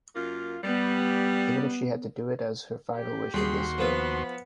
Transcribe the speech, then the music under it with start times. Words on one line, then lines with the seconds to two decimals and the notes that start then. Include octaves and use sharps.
Even if she had to do it as her final wish on this earth.
0.14 F#2 A#3 F4
0.64 G3 B3
2.95 G4
3.34 D#2 G3 F#4 G#4 C6
3.78 F3 B3 B4